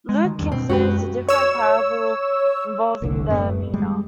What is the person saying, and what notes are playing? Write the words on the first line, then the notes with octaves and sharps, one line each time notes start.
Luke includes a different parable involving the mina.
G#3
D#3
E2 G2
B2 C4
F#2 G#3 C#4 F#4 G4 B4
C#5 E6
F1 C2 D3
F#2 A2 A3 B3
G3 G#3